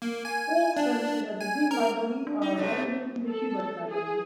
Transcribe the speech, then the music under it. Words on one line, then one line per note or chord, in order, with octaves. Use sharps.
All services at the Green Library are available in the Hubert Library.
A#3
G#5
D4
G#5
A#4
D4
D#4
G#2 C3 A3
A4
G#4